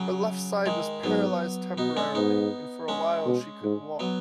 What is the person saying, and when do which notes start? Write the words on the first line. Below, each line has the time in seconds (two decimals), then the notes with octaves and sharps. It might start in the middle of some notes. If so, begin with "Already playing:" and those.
Her left side was paralyzed temporarily, and for a while she couldn't walk.
Already playing: C#3 F#3
0.66 D#3 G#3
1.03 G#2 F#3 B3
1.78 B2 B3 D#4
1.97 G#3 C#4
2.15 G#2 B3 D#4
2.88 G#3 C#4
3.26 B2
3.63 G#2
4.00 F#3 B3